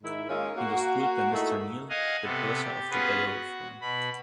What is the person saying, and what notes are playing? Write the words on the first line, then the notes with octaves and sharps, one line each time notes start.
He was schooled by Mr Neale, the purser of the "Bellerophon".
G#2 D#3 E4
G#3 A#3 C#4 D#4 F4
A#3 F#4
A3 A#3 D#4 E4 G#4
D#5 F5 F#5 G#5
C3 B3 A4
G4
B3 C#4 F4 F#4 G#4 B4
F#4
B2 B5